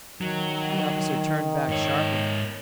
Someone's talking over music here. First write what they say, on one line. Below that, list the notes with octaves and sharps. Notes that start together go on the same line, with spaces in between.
The officer turned back sharply.
D#3 F#3
G#2 C#5